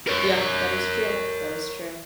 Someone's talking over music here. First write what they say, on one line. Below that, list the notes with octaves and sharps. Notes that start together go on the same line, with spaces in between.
Yeah, that is true, that is true,
A#4 C#5